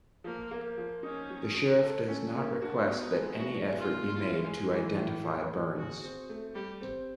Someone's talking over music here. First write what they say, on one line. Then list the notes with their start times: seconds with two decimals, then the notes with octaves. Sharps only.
The sheriff does not request that any effort be made to identify Burns.
0.24 F3 A#3
0.51 A#3
0.78 F3
1.03 C#4 D#4
1.30 F#3
1.56 D3
1.82 A4
2.08 C#4
2.35 A#3
2.62 D4 F#4
2.87 B3
3.01 D#4
3.14 G#3
3.39 B2 F#4
3.67 G#3
3.79 F4
3.92 B2
4.18 E4
4.44 G#3
4.71 E3
4.97 A2
5.23 F3
5.50 A2
5.76 F#4 G#4
6.03 C4
6.29 A3
6.55 G3 G4
6.81 C4